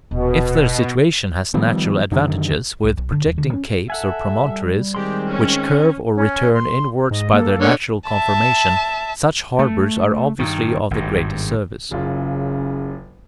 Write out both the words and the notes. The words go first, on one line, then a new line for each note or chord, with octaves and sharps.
If their situation has natural advantages, with projecting capes or promontories which curve or return inwards by their natural conformation, such harbours are obviously of the greatest service.
D#1 B2
D#3 F3 G3 B3
F#2 D3 D#3
C2
B1
D3
D#1
D3
C#4
A4 E5 F#5 G#5
G3
D#3 G#3 C4 G4 C6
C#4
C#4
C6
G#2 D#5
A#3 A4
D3 C#5
E5 A5
A3
G2 D#3
G#1 G2
F#1 F#2 C#3 F4